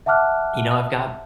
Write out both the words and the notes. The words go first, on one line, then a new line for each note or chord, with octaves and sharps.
you know, I've got
E5 F#5 A5 D6 F6 F#6